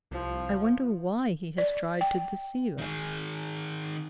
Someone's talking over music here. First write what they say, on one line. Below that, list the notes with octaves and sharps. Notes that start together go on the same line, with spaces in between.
"I wonder why he has tried to deceive us."
C2 F3
D5
G5
D#3 G#4